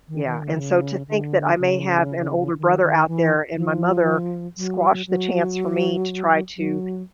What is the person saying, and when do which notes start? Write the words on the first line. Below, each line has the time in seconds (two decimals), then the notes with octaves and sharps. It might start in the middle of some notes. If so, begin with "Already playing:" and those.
Yeah, and so to think that I may have an older brother out there, and my mother squash the chance for me to try to
0.08 D#3
0.25 D#3
0.41 D3
0.58 C#3
1.08 D3
1.58 C#3
2.58 D#3
2.82 D#3
3.07 E3
3.53 E3
3.57 F3
4.57 F#3
5.07 F#3
6.57 F#3